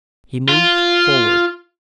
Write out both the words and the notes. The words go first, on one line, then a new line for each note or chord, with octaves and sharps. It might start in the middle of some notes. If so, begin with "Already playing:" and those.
He moved forward.
F4